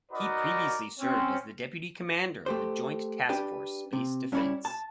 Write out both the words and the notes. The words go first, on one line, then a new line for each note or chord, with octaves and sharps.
He previously served as the deputy commander of the Joint Task Force–Space Defense.
D#4 F#4 A#4 B4 D5 D#5
C4 C#4
A3 G4 C5
D4 G4 B4 G5
C3
G2 C#4 E4 C#5 D5 B5
A5